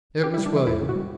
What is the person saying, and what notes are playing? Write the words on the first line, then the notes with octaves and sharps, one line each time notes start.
It was William.
C#3 G4
G3 E4
D4
E3 E4
E2 E4
C#3
F#4
G3